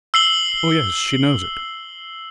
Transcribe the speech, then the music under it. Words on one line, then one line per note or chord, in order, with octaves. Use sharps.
"Oh, yes, she knows it."
E6 C7 F#7 G7